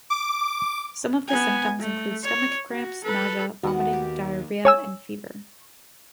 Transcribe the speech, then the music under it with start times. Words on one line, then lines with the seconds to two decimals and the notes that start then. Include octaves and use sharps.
Some of the symptoms include stomach cramps, nausea, vomiting, diarrhea, and fever.
0.10 D6
1.28 B3 G#5
1.80 A3
2.24 C#5
2.70 F#4
3.04 A4 B4
3.63 D#2 D#3 B3 F#4 F#5
3.93 G4
4.65 C#5 G#5 E6